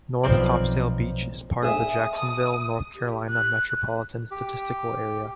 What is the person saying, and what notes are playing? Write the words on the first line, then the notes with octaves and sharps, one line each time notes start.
North Topsail Beach is part of the Jacksonville, North Carolina Metropolitan Statistical Area.
B1 F3 C4 D5
G#4 E5 D#6
D#6
G4
F#6
G4